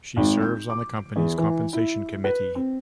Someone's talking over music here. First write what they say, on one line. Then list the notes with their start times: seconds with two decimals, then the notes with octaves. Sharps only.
She serves on the company's compensation committee.
0.17 G#1
0.42 G6
0.70 D6
1.16 E2
1.38 E3
1.73 E4
2.24 B4
2.55 C4